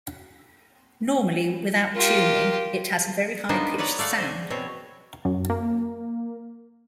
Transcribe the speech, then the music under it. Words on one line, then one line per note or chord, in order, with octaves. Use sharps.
Normally, without tuning, it has a very high pitched sound.
F4 G4 A#4
B3 D4 D#4 F4 A#4 C5
B4 C#5 D5 F#5 A#5
A3 D5 F5 F#5
C5 G#5
B2 C4 C#5
F#2
A#3